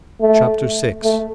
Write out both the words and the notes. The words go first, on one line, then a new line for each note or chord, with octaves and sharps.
Chapter VI.
A3
A3